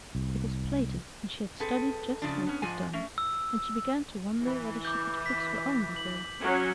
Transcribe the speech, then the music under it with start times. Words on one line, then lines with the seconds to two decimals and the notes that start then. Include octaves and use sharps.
It was plaited and she had studied just how it was done and she began to wonder whether she could fix her own that way.
0.15 C2
1.60 C4 G#4 A4 B4
2.22 C#3 F3 D4
2.47 B3 C#4
2.62 G#2 F3 G#3 G#5
2.93 A3 C#4
3.18 E6
4.43 E3
4.85 D6 G6
5.26 B6
5.96 F#7
6.40 F#3 C#4